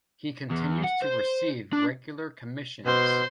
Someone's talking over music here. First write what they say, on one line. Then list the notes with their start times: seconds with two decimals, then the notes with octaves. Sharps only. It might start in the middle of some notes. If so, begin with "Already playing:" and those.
He continues to receive regular commissions.
0.51 E2
0.84 F#5
1.02 C5
1.73 D4
2.86 B2 C5 C6